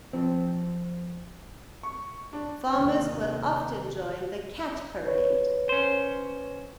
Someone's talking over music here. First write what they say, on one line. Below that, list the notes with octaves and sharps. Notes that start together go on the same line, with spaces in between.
Farmers will often join the "Cat Parade".
F3 C4
C#6
D4
D#2 C3 D#3
B4 C#5
C#4 C5